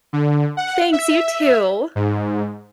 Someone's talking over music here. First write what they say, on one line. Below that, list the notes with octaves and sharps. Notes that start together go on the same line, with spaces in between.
Thanks. You, too.
D3
F#5
E5
G#2